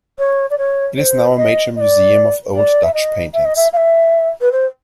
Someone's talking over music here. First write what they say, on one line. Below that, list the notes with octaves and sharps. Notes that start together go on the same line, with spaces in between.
It is now a major museum of old Dutch paintings.
C#5
D5
C#5
C#5
C5
D#5
D#5
D5
D5
E5
D#5
E5
D#5
E5
F5
E5
B4
C5